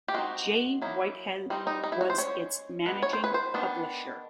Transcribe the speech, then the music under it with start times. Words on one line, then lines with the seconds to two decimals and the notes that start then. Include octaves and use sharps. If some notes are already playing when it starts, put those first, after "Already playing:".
Jay Whitehead was its Managing Publisher.
0.08 G4
0.14 G#3 C4 D#4 F#4
0.82 F#3 A#3 D#4 E4
1.50 G3 C4 D#4
1.67 D#4
1.84 D#4
1.92 E4
2.01 F#4
2.10 C5
2.18 G#3 C#4 C#5
2.86 G#3 B3 D4 B4
3.02 C#5
3.13 C5
3.24 B4
3.34 C5
3.54 D#3 G#3 B3 D4